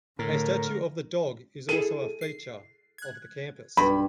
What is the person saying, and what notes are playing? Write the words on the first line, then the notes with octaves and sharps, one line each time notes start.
A statue of the dog is also a feature of the campus.
A2 D3 A3 A#4
E4 G#4 A4 D#7
C7
F#6 G#6
B1 G2 B5